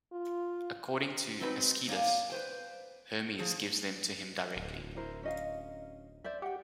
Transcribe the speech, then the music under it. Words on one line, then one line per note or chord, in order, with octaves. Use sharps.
According to Aeschylus, Hermes gives them to him directly.
F4
F#3 G#3 C4 D#4 B4 G5
A#3 C#5 D5 F5 G#5
B4 C5 G5
F3 G#4
D1
E4 A#4 C5
C#4 D#5 F5
C5 D5 E5
G4 F#5 G5